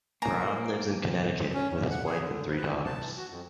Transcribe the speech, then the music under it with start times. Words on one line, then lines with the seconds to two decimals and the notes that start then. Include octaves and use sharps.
Browne lives in Connecticut with his wife and three daughters.
0.22 A#3 G#5 A#5
1.54 C#4
1.73 G2
1.91 F#5
2.06 G#4
2.21 D3
2.43 G#2
2.57 B4
2.70 A2
2.85 A5
3.02 E3
3.17 F#4
3.30 F2